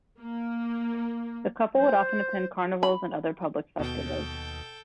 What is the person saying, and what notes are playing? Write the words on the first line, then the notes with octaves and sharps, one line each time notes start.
The couple would often attend carnivals and other public festivals.
A#3
C5
B5
D#2 B2 A4 G5